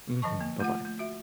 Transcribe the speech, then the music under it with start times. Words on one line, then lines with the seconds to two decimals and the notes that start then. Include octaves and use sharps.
Mhm, buh-bye.
0.22 D3 F3 D#5 A5 C#6
0.41 A#3
0.60 A3 F4 F#5
0.85 A3
0.99 F#4 E5